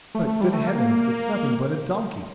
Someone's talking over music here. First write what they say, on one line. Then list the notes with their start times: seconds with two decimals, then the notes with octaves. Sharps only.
'But, good heavens, it's nothing but a donkey!'
0.15 A3
0.27 A3
0.41 G3
0.53 A3
0.67 A#3